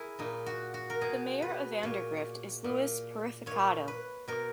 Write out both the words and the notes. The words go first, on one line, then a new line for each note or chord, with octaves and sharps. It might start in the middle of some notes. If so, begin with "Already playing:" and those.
The mayor of Vandergrift is Louis Purificato.
Already playing: E4 G#4 A#4
A#2 D#4
F#4
F#4
A#4
B2 G#4
B4
A#2 C#5
A#2
A#2 C#5
B4
B2 A#4